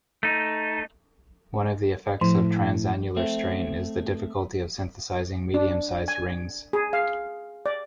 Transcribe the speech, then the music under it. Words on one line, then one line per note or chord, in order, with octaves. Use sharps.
One of the effects of transannular strain is the difficulty of synthesizing medium-sized rings.
A3 D#4
A2 F3
A3 C4
D4
G#5
G#4
F5
D5